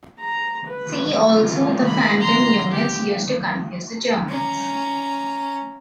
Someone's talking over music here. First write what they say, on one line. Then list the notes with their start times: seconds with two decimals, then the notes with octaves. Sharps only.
See also the "phantom" units used to confuse the Germans.
0.20 A#5
0.68 B4
1.33 F4
1.84 B5
2.20 A#5 C6
2.71 G4
4.29 C#4 A#5